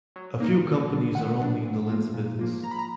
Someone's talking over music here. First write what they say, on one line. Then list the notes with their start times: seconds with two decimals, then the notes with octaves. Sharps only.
A few companies are only in the lens business.
0.16 F#3
0.40 A#3 D#4
0.65 D#3
0.90 F#3 B3 D4
1.15 D#3 F#5
1.40 F#3 B3 D4
1.64 A#2
1.89 F3 A#3 F4
2.14 A#2
2.39 F3 A#3 F4
2.63 F3 A#5
2.71 B5
2.79 A#5